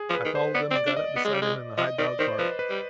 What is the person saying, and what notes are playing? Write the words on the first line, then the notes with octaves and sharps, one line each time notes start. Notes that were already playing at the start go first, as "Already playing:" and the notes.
I followed him and got up beside him in the high dog-cart.
Already playing: G#4
F3
B4
D#3
C5
B3 D5
C4
D5
D4
D#5
B3
G#3
G3
G#3
F3 D#5
D#3 D5
D#3 C5
F3 B4
B4
G3